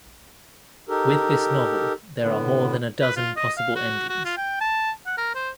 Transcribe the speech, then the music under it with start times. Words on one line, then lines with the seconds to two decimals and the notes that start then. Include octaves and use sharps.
With this novel, there are more than a dozen possible endings.
0.89 D#4 G4 A4 A#4
2.22 A2 D3 B3
3.01 B4
3.16 F4
3.36 D#5
3.58 F5
3.76 F#4
4.09 F#4
4.25 F4
4.37 G5
4.60 A5
5.06 F#5
5.17 A#4
5.35 C5